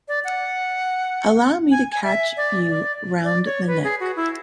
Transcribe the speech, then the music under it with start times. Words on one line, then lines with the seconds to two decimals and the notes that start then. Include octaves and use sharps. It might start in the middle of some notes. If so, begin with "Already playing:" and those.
Allow me to catch you round the neck.
0.08 D5
0.24 F#5
1.71 G#5
1.92 G#5
2.04 E5
2.37 D5
2.70 D5
3.24 D5
3.46 C#5
3.67 B4
3.84 G#4
4.00 F#4
4.16 E4